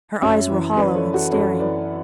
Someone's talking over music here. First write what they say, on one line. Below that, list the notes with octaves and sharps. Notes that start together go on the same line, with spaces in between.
Her eyes were hollow and staring.
F#2 C#5 E5
E3
F#2 B4 D5
A4 C#5
E3
F#4 A4
F#2 A4 C#5
E3 B4 D5